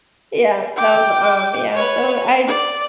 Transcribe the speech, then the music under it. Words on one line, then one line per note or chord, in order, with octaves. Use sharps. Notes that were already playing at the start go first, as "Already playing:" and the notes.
Yeah, so, um, yeah, so, I'd
G5 D6
B4 C#5
D5